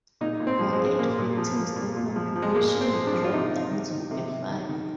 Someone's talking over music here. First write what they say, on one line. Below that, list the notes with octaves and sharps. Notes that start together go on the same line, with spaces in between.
For eight victims the contribution dropped down to a five.
A#2 D#4
A#2
C4
F3
G#3
F3
A#2 A#3
A#2
F3
F3
A#2
A#2
F3
F3
G#3
A#2 A#3
A#2
C4
F3
D4
F3
F4
C3 D#4
C3
D#3
D#3
C3
C3
D#3
D#3